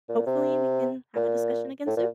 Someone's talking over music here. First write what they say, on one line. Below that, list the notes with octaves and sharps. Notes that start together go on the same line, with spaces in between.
hopefully we can have a discussion again soon.
A#2
C3
A#2
A2
A#2